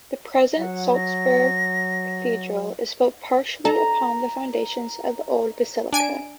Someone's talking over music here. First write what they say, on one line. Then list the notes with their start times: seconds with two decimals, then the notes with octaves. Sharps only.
The present Salzburg Cathedral is built partially upon the foundations of the old basilica.
0.58 F#3 F#5
0.95 A#6
3.65 A4 A#5
5.93 D4 G#5 D7